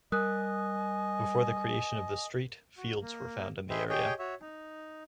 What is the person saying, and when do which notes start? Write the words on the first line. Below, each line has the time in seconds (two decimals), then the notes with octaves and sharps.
Before the creation of the street fields were found in the area.
0.12 G3 A#4 D#5 G#5 D#6 F#6
2.77 F#4
3.01 A#3
3.70 G#4 B4 C5 D#5 E5 G5
3.89 G4 G#4 C#5 D#5 G5
4.19 F#4 C#5 E5
4.41 D#4